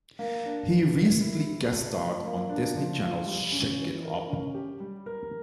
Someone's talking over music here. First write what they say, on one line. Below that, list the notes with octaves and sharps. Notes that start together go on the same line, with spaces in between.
He recently guest starred on Disney Channel's "Shake It Up".
A#3
D4
E3
A#4
E4
G4
A3
F3
A#3
D4
F3
F4
G3
C#4
E3
A#4
C#4
G4
G3
A#4